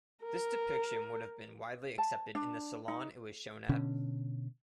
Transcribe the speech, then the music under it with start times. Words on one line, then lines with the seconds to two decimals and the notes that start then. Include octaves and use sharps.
This depiction would have been widely accepted in the Salon it was shown at.
0.24 A#4
1.98 A5
2.35 D4
2.88 D#4
3.69 B2 D3 C#4